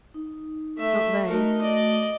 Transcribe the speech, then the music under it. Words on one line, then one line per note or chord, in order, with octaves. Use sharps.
Not they!
D#4
A3 E5
A3 D#4 F#4 A#4
D5 D#5